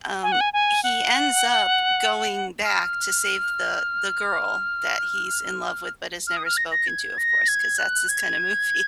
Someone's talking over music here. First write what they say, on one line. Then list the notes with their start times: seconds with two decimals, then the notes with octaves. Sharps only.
Um, he ends up going back to save the the girl that he's in love with but has never spoken to, of course, 'cause that's this kind of movie.
0.23 G#5
0.32 F#5
0.40 G#5
0.53 G#5
0.83 F#5
2.65 F6
6.27 F6
6.37 D#6
6.46 F6
6.57 A#6
6.71 A#6
6.88 G#6
7.18 A#6
7.48 G#6
7.78 F#6
8.08 G#6